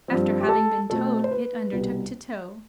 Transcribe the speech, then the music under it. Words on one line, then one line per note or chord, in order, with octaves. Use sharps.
After having been towed, it undertook to tow.
G2 F3 C4
G4
A4
B2 A3 C4 A4
C5
B4
C2 B2 G3 B3